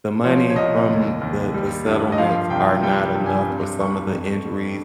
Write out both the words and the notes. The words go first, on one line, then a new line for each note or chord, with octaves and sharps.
the money from the the settlements are not enough for some of the injuries
F3 C#5
C#5
C2 D#5
D#2
D#2
G3
G2
D#5
F3 F5
C2 G5
G3 G5
G2
G#5
C3
C2 C#6
F2
G3